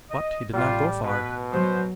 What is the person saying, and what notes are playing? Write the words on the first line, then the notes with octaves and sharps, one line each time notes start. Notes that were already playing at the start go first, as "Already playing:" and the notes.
But he did not go far.
D#5
A1 C3 G3 C4 F4
B2 B4
F#3 B3 B4 C5